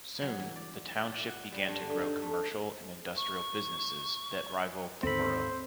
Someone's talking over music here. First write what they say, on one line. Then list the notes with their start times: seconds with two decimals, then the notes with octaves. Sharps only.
Soon, the Township began to grow commercial and industrial businesses that rivalled the Borough.
0.22 F#3
0.39 E3
0.56 D5
0.98 D5
1.12 D5
1.29 F#5
1.52 G3
1.68 G2
1.81 D3
2.01 D#4
2.22 A3
3.16 C#6
5.03 D#2 G#2 D3 C4 A4 C5 B5